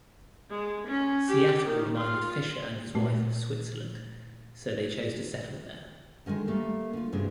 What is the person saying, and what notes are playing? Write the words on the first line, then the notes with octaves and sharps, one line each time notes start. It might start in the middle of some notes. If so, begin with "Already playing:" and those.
Seattle reminded Fischer and his wife of Switzerland so they chose to settle there.
G#3
C#4
G4
D#3
F4
A#2 A3
D3 D#3 F#3 G#3
G3 A3 A#3
D3 F4
D2 G2 C3 E3 D4 G#4